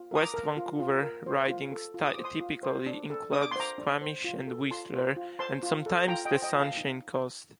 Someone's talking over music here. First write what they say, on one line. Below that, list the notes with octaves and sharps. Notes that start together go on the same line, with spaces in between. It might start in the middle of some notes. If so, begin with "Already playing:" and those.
West Vancouver ridings typically include Squamish and Whistler, and sometimes the Sunshine Coast.
Already playing: F4
A#4 D#6
A#5 D6
A#4
F4
F4
A#4
C5
F4
A4
F4
D#6
C5 D6
C6 D#6
F4
C5
D4
A4
D4 D#6
D6
C6
C5 A#5 D6
D4
C5
F4
A4
F4 A5 C6
C5
F4
C5 A5 C6
F4
A4
F4 G5 A#5
D#5 G5
C5
D#5 G5
F4
F5 A5
D#4